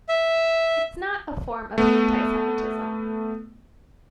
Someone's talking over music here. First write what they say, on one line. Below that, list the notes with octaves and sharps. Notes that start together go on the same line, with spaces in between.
It's not a form of anti-Semitism.
E5
A3 B3